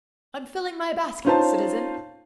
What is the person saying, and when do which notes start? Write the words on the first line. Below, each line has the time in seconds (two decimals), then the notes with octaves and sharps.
"I'm filling my basket, citizen."
1.25 C#4 D#4 F4 C5 F5 A5